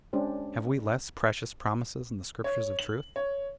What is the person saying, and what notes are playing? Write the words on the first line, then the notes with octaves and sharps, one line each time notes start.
Have we less precious promises in the Scriptures of truth?
G#3 C#4 D4 G4 C5
C#5
F#7
C#5